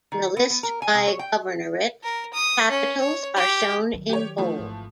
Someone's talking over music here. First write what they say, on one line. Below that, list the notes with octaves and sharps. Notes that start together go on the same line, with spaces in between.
In the list by governorate capitals are shown in bold.
D#3
B3
B3
A#4
G#5
C3
C#5
G5
A#4
D#6
C#4
C#5
G4
D#3 F#3
G4 C#5
E3 F3 A3
G#1